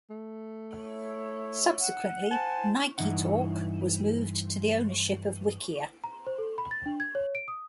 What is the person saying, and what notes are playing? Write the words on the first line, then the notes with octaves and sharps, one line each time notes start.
Subsequently NikeTalk was moved to the ownership of Wikia.
A3
E4 C#5
F#5
C5 G#5 A5
G2 D#3 E3 D#4 E4 F#5
A#5
C5
A4
B5
A6
D4
G#6
C#5
D7
D#6